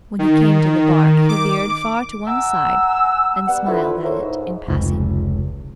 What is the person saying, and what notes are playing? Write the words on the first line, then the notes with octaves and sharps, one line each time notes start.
When he came to the bark, he veered far to one side and smiled at it in passing.
D#3
D6
F#5 G#5 A#5 E6
G3 B3 F#5
D3 F3 A3 E4 B4
E4 A4 A#4 C5 C#5
G#2
F1 C#2